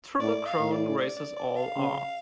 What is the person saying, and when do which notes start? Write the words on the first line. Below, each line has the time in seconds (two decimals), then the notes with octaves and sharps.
Triple Crown races all are.
0.20 A2 D5
0.46 F5
0.59 A2
0.71 D5
0.98 D5
1.17 D5
1.36 D5
1.56 F5
1.76 C#3